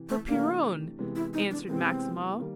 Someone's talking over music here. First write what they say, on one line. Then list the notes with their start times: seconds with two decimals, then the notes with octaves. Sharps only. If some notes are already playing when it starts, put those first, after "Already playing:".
"For Piron!" answered Maximov.
Already playing: C3 E3
0.09 A3
0.27 C3 E3 A3 A#3 D4 G4
0.98 C3 E3 G#3 B3
1.16 E4
1.33 D#4
1.51 D4
1.68 C3 E3 G#3 B3 C4
2.39 D#3 G3 A#3